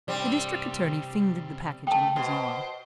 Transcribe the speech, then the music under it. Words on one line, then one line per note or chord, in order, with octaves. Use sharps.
The district attorney fingered the package under his arm.
C3 G3 C4 D4
A3 G5 A5
B2 C5